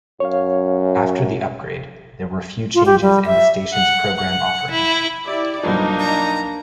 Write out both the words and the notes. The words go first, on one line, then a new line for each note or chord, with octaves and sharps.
After the upgrade, there were few changes in the station's program offerings.
F#2 C#5 F5
F4
G4
G3
E5
F#5
F#5
E4
E4 G4 D5
B1 G2 F3 A#3 D4 D#4
A#5